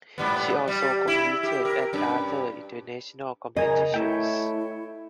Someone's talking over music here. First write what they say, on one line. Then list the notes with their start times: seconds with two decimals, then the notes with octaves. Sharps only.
She also competed at other international competitions.
0.18 G#2 G3 B3
0.68 G3
1.08 E4
1.43 G4
1.65 A#4
1.93 G2 C#4
3.57 C#3 A#4 D#5 G#5 A#5
3.94 A3 E4 C#5 E5 G5